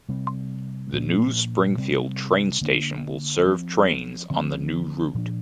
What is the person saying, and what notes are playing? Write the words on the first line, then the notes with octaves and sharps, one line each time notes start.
The new Springfield train station will serve trains on the new route.
C3 G3 C4
A#2 F3 A#3 D4
C3 G3 C4
D3 A#3 D4
F3 C4
D3 F3 C4
A#2 F3 D4